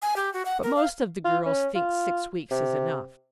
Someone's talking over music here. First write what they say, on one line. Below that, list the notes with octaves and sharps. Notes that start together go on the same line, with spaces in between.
"But most of the girls think six weeks is enough."
G#5
G4
F#4
F#5
A#4
F5
F4
C#4
F4
C3